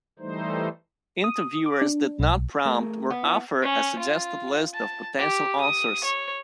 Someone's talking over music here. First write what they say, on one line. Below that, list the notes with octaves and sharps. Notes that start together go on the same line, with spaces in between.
Interviewers did not prompt or offer a suggested list of potential answers.
E3 G3 A3 D#4 C5
D#6
D6
D4
B1
A3 G#4 A#4
B3
E4 F4
C#4
F4
A5
G4
D#6
C#5